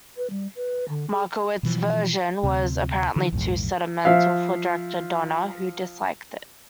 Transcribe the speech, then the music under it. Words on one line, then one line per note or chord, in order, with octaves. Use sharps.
Markowitz's version was apparently too sentimental for director Donner, who disliked it.
B4
G3
B4
D3
G#4
B2 E3 F3
D2 C3
D3 E3
A#1 E2 G#2
F3 E5 F5